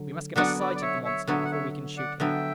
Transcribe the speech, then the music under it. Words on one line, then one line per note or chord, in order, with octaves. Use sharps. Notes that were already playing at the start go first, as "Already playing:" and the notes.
We must get a sight at the monster before we can shoot him.
Already playing: D3 F#3
D3 F#3 B3 F#4 D5 F#5
B4 D5
D5
C#5 E5
C#5 E5
D3 F#3 B3 C#5 E5
F#5
C#5 E5
D5 F#5
D3 F#3 B3 E5 G5